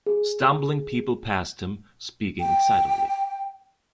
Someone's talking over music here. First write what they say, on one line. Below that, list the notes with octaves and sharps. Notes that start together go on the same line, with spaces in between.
Stumbling people passed him, speaking excitedly.
G#4
G5